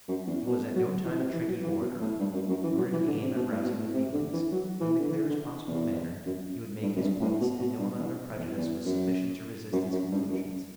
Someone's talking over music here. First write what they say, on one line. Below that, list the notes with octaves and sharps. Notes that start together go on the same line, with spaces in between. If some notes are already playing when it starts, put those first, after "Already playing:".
He was at no time a tricky orator, nor did he aim at rousing the feelings, but in the clearest possible manner he would make his points and no amount of prejudice was sufficient to resist his conclusions.
F#2
E2
B2
F#3
E3
C3
E3
F#3
E3
B2
A2
G2
F#2
F#2
E3
F#3
E3
D3
C3
B2
A2
B2
A2
C3
D3
E3
F#3
E3
D3
E3
D3
E2
F#2
G2
F#2
G2
A2
B2
B2
G2
E2
E2
E2
F#2
F#2
F#2
G2
F#2